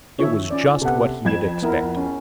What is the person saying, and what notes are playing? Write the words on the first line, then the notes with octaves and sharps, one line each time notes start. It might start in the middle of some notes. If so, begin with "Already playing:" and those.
It was just what he had expected.
D#3 F3 C#5 E5
C#4 D5
C3 B3 A4 F#5
F2 G#6 E7
B3 E4 A#4
C#4